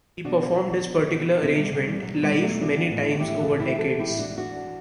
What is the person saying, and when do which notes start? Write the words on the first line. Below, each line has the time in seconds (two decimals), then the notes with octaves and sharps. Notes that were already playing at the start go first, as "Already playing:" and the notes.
He performed his particular arrangement live many times over decades.
0.24 B2 D4 F#4
0.54 B2
0.84 B2
1.13 B2
1.42 B2 C4 E4
1.57 G3
1.72 B2 G3
1.87 G3
2.01 B2 F#3
2.13 F#3
2.22 G3
2.31 B2
2.41 F#3 A3
2.60 E3 D4 F#4
2.90 A2
3.15 F#4
3.19 E3 E4 G4
3.39 F#4 A4
3.49 A2
3.59 E4 G4
3.72 G4
3.78 E3 F#4 A4
3.99 E4 G4
4.08 A2
4.19 D4 F#4
4.37 E3 D4 F#4